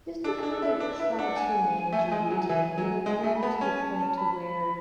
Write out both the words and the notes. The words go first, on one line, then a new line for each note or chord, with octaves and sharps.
just to kind of try to manage your routine a little better to the point to where
D4 A4
D4 G#4
A4
E4
A4
D4 B4
E4 B4
D4 F#5
G#5
A3
G#3
F#3
E3 G#5
F#3
G#3
A3
B5
B3
A5
C#4 G#5
A5
A5
B5